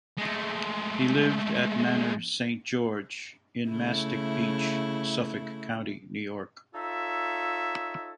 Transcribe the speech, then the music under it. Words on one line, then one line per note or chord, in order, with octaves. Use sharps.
He lived at Manor Saint George in Mastic Beach, Suffolk County, New York.
G#3 A3
C#3 A3 E4
D#4 F4 A4 C#5 E5